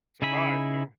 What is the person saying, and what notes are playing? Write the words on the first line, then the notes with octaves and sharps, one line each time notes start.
survive, you know?
C#3 D#4 E4 G#5 B5